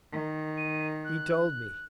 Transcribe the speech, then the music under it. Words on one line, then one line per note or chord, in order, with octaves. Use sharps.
He told me.
D#3
D#7
F#6